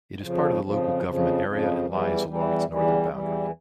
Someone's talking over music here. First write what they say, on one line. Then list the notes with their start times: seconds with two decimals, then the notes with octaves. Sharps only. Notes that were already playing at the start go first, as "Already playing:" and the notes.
It is part of the local government area, and lies along its northern boundary.
0.21 F2 C#3 F3
0.63 F2 C#3 F3
1.04 F2 C#3 F3
1.44 F2 C#3 F3
1.86 E2 E3 G3
2.27 E2 E3 G3
2.69 E2 E3 G3
3.10 E2 E3 G3